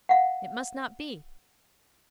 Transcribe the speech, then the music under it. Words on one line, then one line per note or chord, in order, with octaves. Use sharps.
It must not be!
F5 F#5